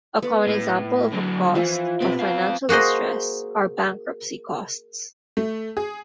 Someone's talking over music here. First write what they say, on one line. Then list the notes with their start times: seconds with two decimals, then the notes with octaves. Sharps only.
A common example of a cost of financial distress are bankruptcy costs.
0.22 B3 D5
0.47 A2
1.12 D3 F#3
1.55 E3 F3 F4
2.01 B2 B3 C4 B5
2.19 C4 F5
2.69 A#3 F#4 G#4 C5 D#5
5.37 A3
5.77 G#4